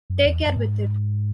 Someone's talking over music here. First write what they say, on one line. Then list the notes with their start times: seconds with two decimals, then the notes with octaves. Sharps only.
Take care with it.
0.10 F#2
0.25 E2
0.46 F#2
0.57 G#2